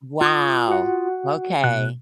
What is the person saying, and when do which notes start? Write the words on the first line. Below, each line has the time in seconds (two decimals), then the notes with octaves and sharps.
Wow. Okay.
0.21 F4 D#6
0.68 F#4 F#5
1.64 B2 F#6